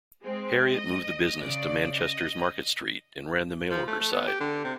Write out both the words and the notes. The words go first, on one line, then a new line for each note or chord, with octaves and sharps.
Harriet moved the business to Manchester's Market Street and ran the mail order side.
G#3 C4
D#5
C#3 D5
D#5
F3
A3
A3
B3
G4
D3
C3